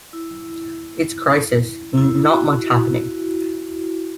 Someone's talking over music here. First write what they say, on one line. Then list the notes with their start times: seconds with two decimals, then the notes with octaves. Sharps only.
Its crisis: not much happening.
0.13 E4
1.97 E4
2.29 F#4